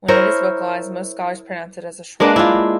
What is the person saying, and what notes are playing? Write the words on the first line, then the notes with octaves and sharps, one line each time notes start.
When it is vocalised, most scholars pronounce it as a schwa.
E4 A#4 C5 C#5
G#3 A#3 D4 B4
E4 F4